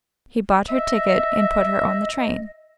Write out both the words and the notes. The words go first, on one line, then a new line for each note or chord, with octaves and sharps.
He bought her ticket and put her on the train.
D#5 E5